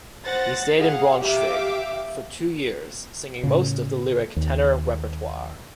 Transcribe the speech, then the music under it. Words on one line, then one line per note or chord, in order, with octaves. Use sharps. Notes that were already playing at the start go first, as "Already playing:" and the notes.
He stayed in Braunschweig for two years, singing most of the lyric tenor repertoire.
C5 F#5 A6 A#6
G#4 F5 F#5
G4 E5 F5 D6
A2 C#3
D#2